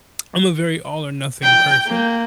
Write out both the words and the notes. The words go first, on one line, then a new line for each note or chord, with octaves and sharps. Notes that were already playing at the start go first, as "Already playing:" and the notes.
I'm a very all or nothing person
G5
A#3